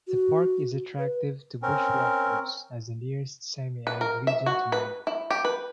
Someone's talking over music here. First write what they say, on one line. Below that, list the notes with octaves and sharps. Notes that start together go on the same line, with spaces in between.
The park is attractive to bushwalkers as the nearest semi-arid region to Melbourne.
F#4
B4
C4 C#4 A#4
B4
A#4
E5
F#4
B4
E4
G4
B4